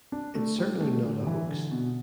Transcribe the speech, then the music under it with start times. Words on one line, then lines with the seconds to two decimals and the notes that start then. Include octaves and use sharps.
It's certainly not a hoax.
0.12 D4
0.35 A3
0.59 G3
0.81 A3
1.04 D3
1.21 G3
1.27 E3
1.49 D3
1.71 B2